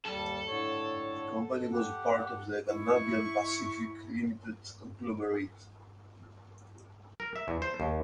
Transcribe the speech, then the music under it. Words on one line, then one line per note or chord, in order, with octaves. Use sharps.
The company was a part of the Canadian Pacific Limited conglomerate.
D#2 G3 A4
A2 D3 C#5
G4 F#5
E4 C#6
A#4
E5
E2
C5
D#2